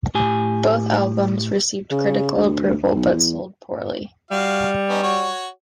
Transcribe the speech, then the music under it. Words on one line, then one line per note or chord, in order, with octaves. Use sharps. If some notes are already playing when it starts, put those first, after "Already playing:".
Both albums received critical approval but sold poorly.
A2 G4 G#5
C#3
D2
B1
E2
G3 F#4 F5
B3 C#4 D#4
F#4 C#5